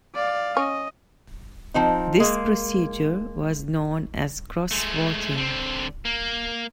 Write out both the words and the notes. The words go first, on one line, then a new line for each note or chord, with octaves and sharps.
This procedure was known as 'cross-voting'.
D5 F5
C#4 D#5
F3 C4 D#4
G#3 A#3
G#3 A3
D3 C4
A#3